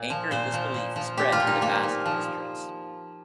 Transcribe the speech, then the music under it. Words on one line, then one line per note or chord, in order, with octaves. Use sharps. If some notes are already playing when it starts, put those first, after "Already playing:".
Anger and disbelief spread in the Basque districts.
Already playing: A#2
F3
A#2 C5
F3
A#2
F3
A#2 G4
F4
A#2
D#4
F3 A#3
A#2
F3